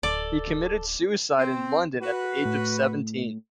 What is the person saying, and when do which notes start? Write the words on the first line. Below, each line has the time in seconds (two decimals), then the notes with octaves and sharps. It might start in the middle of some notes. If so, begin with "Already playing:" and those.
He committed suicide in London at the age of seventeen.
0.03 D1 A4 D5
1.38 C4
2.02 F#4 B4
2.45 A2